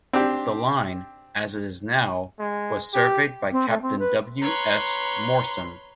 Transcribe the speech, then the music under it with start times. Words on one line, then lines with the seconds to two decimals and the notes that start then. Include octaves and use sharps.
The line, as it is now, was surveyed by Captain W S Moorsom.
0.13 C4 D4 G4
2.40 G#3
2.94 G4
3.52 C4
3.68 A3
3.82 C4
3.99 B4
4.41 B4 C#5 A#5 C6